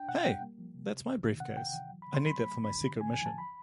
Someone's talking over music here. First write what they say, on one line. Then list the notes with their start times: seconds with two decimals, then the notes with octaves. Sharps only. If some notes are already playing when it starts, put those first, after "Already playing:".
Hey, that's my briefcase, I need that for my secret mission.
Already playing: D4 G5
0.08 B2 F#5
0.25 G3 G5
0.42 A#3
0.58 F3
0.74 C3
0.91 C3
1.07 C2
1.24 D#3
1.40 C3 F#5
1.57 C3 G5
1.73 E3
1.89 F#3
2.02 C#3 B5
2.15 C6
2.23 F#3 B5
2.39 A3 B5
2.56 D3
2.64 B5
2.73 D3
2.89 D3
3.01 G#5
3.05 F#2
3.13 G#5
3.22 F3 A5
3.38 B5